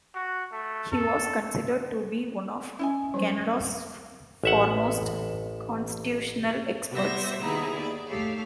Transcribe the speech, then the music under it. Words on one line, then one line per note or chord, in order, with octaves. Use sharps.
He was considered to be one of Canada's foremost constitutional experts.
F#4
A3
A4
C#4 E4 D#5 G#5
F#3 G3
A1 E5 F#5
C3 G3 B3 C5 E5 A#6
D#2 D#3 B3 E4 G#4 A#5
G#4 D5
A3 G4 A4 C#5 F5